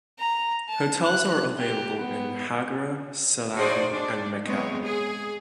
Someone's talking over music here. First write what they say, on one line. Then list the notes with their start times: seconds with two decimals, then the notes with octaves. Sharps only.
Hotels are available in Hagere Selam and Mekelle.
0.19 A#5
0.69 A5
1.04 F#6
1.58 G4
1.99 B3
3.56 D#4 F#4 G#4 C5 D5
3.92 D4
4.45 G#3 B3 C4 C#5
4.81 G#4